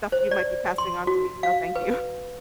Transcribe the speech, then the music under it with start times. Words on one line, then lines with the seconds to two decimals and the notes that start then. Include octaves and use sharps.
stuff you might be passing on to me. No, thank you."
0.12 C5
0.31 D5
0.78 C6
1.07 F#4
1.43 F5
1.76 B4